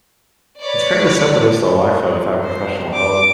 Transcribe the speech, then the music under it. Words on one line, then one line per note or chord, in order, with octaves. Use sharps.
It's fairly simple to install wi-fi without professional help.
B4 C#5 D5
C5
D6